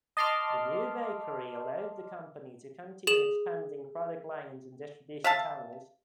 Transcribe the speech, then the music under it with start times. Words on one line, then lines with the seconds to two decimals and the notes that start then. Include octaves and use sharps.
The new bakery allowed the company to continue expanding product lines and distribution channels.
0.17 D#5 A5 C6 D6 F6
3.07 G#4 E7 F#7
5.24 E5 F5 A5